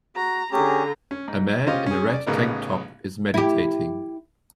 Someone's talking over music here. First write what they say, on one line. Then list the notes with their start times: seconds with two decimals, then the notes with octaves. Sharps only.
A man in a red tank top is meditating.
0.16 F#4 A#5
0.52 D3 C#4 G4 G#4 A#5
1.11 C#4
1.28 G#2
1.67 C#4 F4 G4 C5 D#5 F5
1.86 C#4 G#4
2.14 D5
2.26 A1 C#3 B3 D#4 A#4
3.34 E4 G4